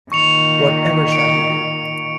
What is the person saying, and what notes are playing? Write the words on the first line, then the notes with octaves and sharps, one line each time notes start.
What ever shall we do?
A#2 D#3 C#6 C#7 F7
C#7 D7